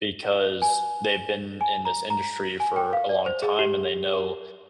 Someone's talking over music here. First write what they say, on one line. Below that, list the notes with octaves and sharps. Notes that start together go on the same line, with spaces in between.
because they've been in this industry for a long time and they know
G#5
G#5
A#5
A#5
G#5
G5
F5
D5
C5
G#4
G4